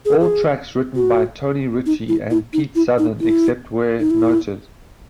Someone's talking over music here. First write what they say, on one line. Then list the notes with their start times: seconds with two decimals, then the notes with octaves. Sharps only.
All tracks written by Tony Ritchie and Pete Southern, except where noted.
0.05 G#4
0.13 A#4
0.20 G#4
0.96 F#4
1.86 D#4
2.08 E4
2.30 E4
2.53 D#4
2.75 E4
2.98 D#4
3.20 E4
4.00 D#4
4.11 E4